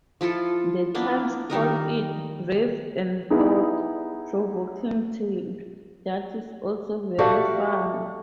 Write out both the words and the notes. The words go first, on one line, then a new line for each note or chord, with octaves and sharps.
The Times called it "brave and thought provoking telly, that is also very funny".
F3 E4 F4 A4
A#3 B3 D4 E4
D#3 G3 D#4 A#4
B3 D#4 E4 G#4
F#4 G4 A4 D5 E5 F5